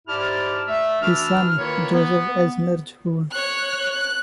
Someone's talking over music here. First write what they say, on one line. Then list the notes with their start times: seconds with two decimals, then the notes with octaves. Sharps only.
His son, Joseph Elsner jun.
0.07 G#2 E4 G4 D5 A5 F6
0.68 A3 E5
1.02 E3 D4 F#4 E6 F6
1.58 D#3 A#3 E4 F4 B4 C#5
1.93 B3
3.31 C#5 F#6
3.92 F#6